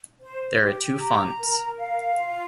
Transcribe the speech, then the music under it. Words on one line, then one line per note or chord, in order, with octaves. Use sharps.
There are two fonts.
C5
G4
A#5
A#4
F5
F4